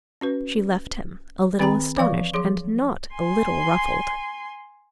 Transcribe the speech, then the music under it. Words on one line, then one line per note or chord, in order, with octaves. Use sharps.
She left him, a little astonished and not a little ruffled.
C#4 F#4 B4
D#3 C4 G#4 G5 A#5 B5
E3 F3 D5 F5 C#6
F3 F#3 G#4 C6
G#5 C6